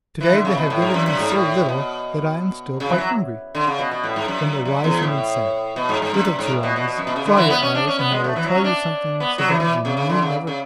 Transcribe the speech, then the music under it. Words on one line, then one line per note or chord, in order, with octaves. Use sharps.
To-day they have given me so little that I am still quite hungry.' Then the wise woman said, 'Little Two-eyes, dry your eyes, and I will tell you something so that you need never be hungry again.
E3
D3
C#3
B2
A2
G#2
F#2
F#2
G#2
A2
B2
C#3
E3
F#3
D3
C#3
B2
B2
A2
G#2
F#2
F#2
E2
A2
B2
G#2
G#2
F#2
F#2
G#2
A2
B2
B2
B2
F#2
B2
C#3
D3
E3
B3
C#4
D4
C#4
B3
G#3
A3
E3
F#3
C#4
D4
B3
F#3
E3
E3
C#3
C#3
D3
C#3
C#3